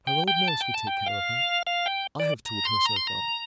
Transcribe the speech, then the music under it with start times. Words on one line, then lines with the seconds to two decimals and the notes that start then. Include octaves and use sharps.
Her old nurse will take care of her, I have taught her, so far.
0.07 G5
0.28 G5
0.48 A5
0.61 G5
0.74 A5
0.87 G5
1.06 F5
1.67 F5
1.86 G5
2.20 D5
2.46 A#5
2.65 C6
2.85 A#5
2.96 C6
3.07 A#5